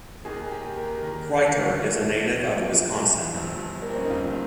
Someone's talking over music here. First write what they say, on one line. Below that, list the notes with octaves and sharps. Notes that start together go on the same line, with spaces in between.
Kreiter is a native of Wisconsin.
D#2 D#3 G#4
G4
A#4
D#2 D#3 A#4
A#1 A#2 F3
A#1 A#2 F3
G1 G2 F3
A#3
C4
C#4
D#4
G1 G2 F3 F4